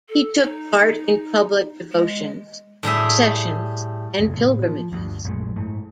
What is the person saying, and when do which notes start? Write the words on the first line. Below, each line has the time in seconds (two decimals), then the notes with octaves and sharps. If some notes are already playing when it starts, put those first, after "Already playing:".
He took part in public devotions, processions, and pilgrimages.
0.09 A4
0.41 D#4
1.92 G#3
2.83 A2 G3 G#4 E5
4.19 C2 F2 C#3 A#3
4.37 A2 B3
4.62 F3
4.92 D2 G2
5.24 A#1 F#2 G#3 A3
5.56 G#2 A3